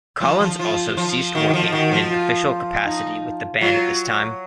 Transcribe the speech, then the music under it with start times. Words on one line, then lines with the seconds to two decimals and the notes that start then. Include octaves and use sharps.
Collins also ceased working in an official capacity with the band at this time.
0.21 F3
0.40 F3
0.59 F3 F4
0.97 F3
1.35 D#3 F#4
1.49 D#3
1.53 F3
1.72 D#3 F#4
1.91 F3
2.10 F4
2.85 D#4
3.61 F#3 F4